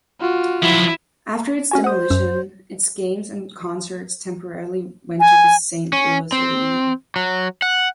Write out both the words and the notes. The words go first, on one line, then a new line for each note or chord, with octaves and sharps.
After its demolition, its games and concerts temporarily went to the Saint Louis Arena.
F4 F#4
F3 F#3 E4
C#4 F#4 G#5
C5 F#5 D#6
F#2 E6
G#5
C#4
C4
F#3
F#5